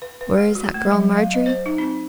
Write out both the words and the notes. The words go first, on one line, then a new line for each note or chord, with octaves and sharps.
Where is that girl Margery?'
B4
B4
G#3
F#4
A3
F#3
F5
D#5
C5
D#4
C4